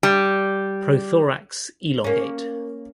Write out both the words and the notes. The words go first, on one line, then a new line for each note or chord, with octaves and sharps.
Prothorax elongate.
G3
A#3 C#4